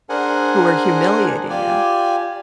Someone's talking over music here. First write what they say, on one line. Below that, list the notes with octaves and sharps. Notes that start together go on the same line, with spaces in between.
Who are humiliating you.
D4 G#4 A#4 C5 F#5 G#5
F4 G4 D5 G#5